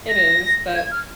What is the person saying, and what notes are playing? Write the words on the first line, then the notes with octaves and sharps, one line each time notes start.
It is. But
A#6
G#6
F6